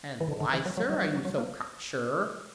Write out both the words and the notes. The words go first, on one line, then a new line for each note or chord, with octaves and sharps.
"And why, sir, are you so cock sure?"
E3
D3
D3
E3
F#3
F#3
F#3
F#3
F#3
F#3
A#3